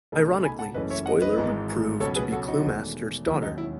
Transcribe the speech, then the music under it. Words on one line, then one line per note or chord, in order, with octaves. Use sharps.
Ironically, Spoiler would prove to be Cluemaster's daughter.
C#2 B2 A3 D#4
G#5 B5
F#5 A5
F#1 F#2 E3 A3 C#4 B4 D#5
C#5 E5
D#5 F#5
B4 D#5
G#1 G#2 E3 G#3 D#4
C#2 B2 F#3 C#4 A4 C#5
G#4 B4
F#4 A4
D#4 F#4
E1 E2 D#3 A3
E1 D#2 D#3 F#3 C#4 E4
D#4
E4